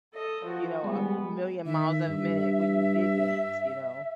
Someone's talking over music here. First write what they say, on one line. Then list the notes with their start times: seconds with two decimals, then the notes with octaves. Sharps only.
you know, a million miles a minute when you did dance, you know.
0.13 A4 D#5
0.44 F3 F#4
0.84 G3 G#3 B3
1.66 D#3 E5
2.08 G2